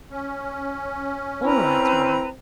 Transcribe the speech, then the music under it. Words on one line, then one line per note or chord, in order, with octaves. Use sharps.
'All right, Mother.
C#4
C4 E4 B4 A#5